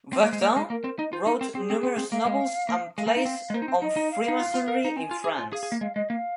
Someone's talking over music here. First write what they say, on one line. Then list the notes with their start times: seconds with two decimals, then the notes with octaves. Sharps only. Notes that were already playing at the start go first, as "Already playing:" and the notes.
Verdun wrote numerous novels and plays on Freemasonry in France.
0.13 C4 C5
0.23 A#3
0.33 G#3
0.41 A#3
0.56 G#3
0.70 A#3 A#4
0.84 C4
0.98 D#4 D#5
1.13 F4 C5
1.26 D#4 A#4
1.41 C4
1.55 C4 G#4
1.70 C4
1.83 C4
1.98 C4
2.12 A#3 F5
2.26 G#3
2.69 A#3
2.97 G#3 F5
3.07 A#3 G#5
3.16 D#4 F5
3.25 C4
3.50 G#3
3.54 A#3 C5
3.62 D#4
3.68 C4
3.82 D#4 D#5
3.96 D#4
4.11 F5
4.28 D#4
4.40 F4
4.54 F4
4.68 A#4
4.85 D#4
4.96 C4 G#5
5.11 F4
5.24 G#4
5.38 F4
5.53 G#4 F5
5.63 G#4
5.72 A#3
5.81 G#3 F5
5.95 G#3 D#5
6.10 A#3 F5